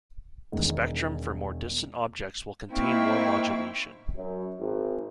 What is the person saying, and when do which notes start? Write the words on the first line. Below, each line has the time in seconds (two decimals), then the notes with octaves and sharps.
The spectrum for more distant objects will contain more modulation.
0.52 E1 D#3
2.72 A#3 C4 D#4 E4 F5 G5 C#6
4.15 F#2
4.59 G#1